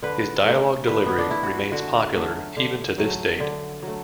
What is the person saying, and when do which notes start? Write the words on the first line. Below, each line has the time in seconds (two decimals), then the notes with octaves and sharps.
His dialogue delivery remains popular even to this date.
0.03 D3 B4
0.45 A3
0.87 D3 B4
1.06 B3
1.18 D4
1.30 A3 E4
1.43 F#4
1.72 D3 F#4
2.14 F#3 A3
2.57 D3
2.98 F#3 A3
3.40 D3
3.83 F#3 A3